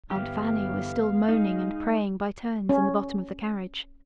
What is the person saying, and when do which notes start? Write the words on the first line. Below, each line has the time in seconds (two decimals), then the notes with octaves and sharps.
Aunt Fanny was still moaning and praying by turns in the bottom of the carriage.
0.11 G1 E3 B3 G4 F5
1.29 G#3 D#4
2.69 C#4